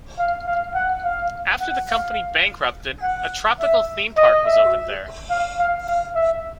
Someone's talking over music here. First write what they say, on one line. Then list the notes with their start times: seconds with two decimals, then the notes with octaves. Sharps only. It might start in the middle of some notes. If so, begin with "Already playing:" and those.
After the company bankrupted, a tropical theme park was opened there.
0.18 F5
0.46 F5
0.75 F#5
1.04 F5
1.60 F#5
1.90 F5
3.02 F#5
3.60 E5
4.17 D#5
4.45 E5
5.30 F5
5.59 F5
5.88 F5
6.15 E5